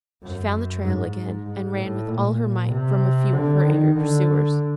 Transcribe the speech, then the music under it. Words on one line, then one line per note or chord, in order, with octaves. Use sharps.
She found the trail again, and ran with all her might from a few of her angry pursuers.
F#2
G#2
G#2
A2
A#2
C3
D3
D#3
D3